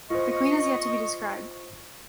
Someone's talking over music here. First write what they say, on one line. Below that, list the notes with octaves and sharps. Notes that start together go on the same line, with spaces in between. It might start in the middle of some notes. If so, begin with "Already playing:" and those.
The queen has yet to be described.
F4 C5 D#5 C#6